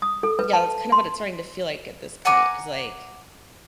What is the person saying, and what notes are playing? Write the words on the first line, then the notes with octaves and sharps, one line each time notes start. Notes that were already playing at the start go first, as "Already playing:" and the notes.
Yeah, that's kind of what it's starting to feel like at this point is, like
D#6
A4
B4
A5
C6
F#5 G#5 A#5 D6